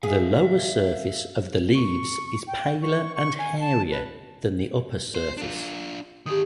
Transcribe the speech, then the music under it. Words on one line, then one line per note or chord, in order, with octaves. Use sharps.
The lower surface of the leaves is paler and hairier than the upper surface.
G#4 E5 F5
C#6
G5
C#6
C#6
G#5
A5
B4
C5
D4 F4
D#3 G4 G#4 D#6